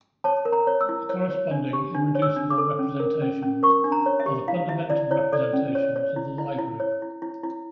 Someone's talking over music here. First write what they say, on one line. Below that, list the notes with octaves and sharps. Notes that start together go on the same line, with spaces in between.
The corresponding irreducible representations are the fundamental representations of the Lie group.
C#5 A5
A#4
A#5
C#5
E6
E4
C#5
C#5
D4
G4
D4
C#5
E6
D4
D6
A4
C#4
A#4
C#4
C#4
A#4 C#6
D4
A#5
C#5
E5
G4
E4 F5
E4 E5
E4 D5
E4 C#5
A4 D5
C#4
C#5
C#5
E4
E4
E4
C#5
E4
E4
E4